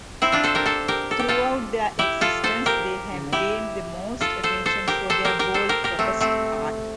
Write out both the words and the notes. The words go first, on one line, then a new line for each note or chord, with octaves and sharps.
Throughout their existence, they have gained the most attention for their bold protest art.
C4 E4
D4 F4
A4 C5
G4 A#4
A4 C5
G4 A#4
A4
G4
F4 A4
E4 G4
F4 A4
A4 C5
G4 A#4
E4 G4
F4 A4
A4 C5
A4 C5
G4 A#4
A4 C5
G4 A#4
G4 A#4
A4 C5
G4 A#4
G4 A#4
A3 C4
A3 C4